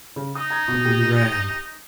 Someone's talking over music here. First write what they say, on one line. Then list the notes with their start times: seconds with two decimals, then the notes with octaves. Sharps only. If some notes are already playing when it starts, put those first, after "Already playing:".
But we ran.
0.16 C#3
0.35 D#4 D#6
0.50 A#5 G#6
0.68 B2
0.85 G4